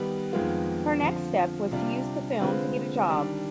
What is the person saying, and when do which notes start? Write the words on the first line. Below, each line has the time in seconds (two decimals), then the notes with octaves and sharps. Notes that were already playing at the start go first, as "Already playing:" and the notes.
Her next step was to use the film to get a job.
Already playing: D#3 G3 B3 D#4 B4
0.33 F2 D#3 G#3 B3 F4
1.01 D3 F3 C4 F4
1.71 C3 G3 D4 F4
2.40 D3 G#3 C4 F4 B4
3.10 D#3 G3 D4